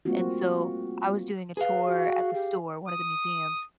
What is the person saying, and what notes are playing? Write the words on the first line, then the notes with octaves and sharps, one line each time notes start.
and so I was doing a tour at the store- one of the museums-
G3 A3 A#3 C4 F4 F#4
G#4 B4 F5
F#4
G4
D#6